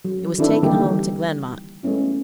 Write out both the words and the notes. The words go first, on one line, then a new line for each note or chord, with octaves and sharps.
It was taken home to Glenmont.
F#3
D#3 C4 D4 E4 A4 B4
D3 E3 G3 A#3 D#4 G4
G#3 A3 B3 C#4 E4